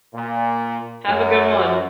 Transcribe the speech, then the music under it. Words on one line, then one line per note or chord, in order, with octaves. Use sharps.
Have a good one.
A#2
F#2